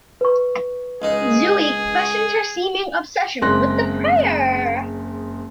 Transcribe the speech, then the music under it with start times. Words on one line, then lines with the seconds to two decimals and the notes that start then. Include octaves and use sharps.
Zooey questions her seeming obsession with the prayer.
0.21 B4 C#6
1.02 C#2 G#3 D#4 G#4
3.42 F#1 G#3 C4 C6 F#6 A#6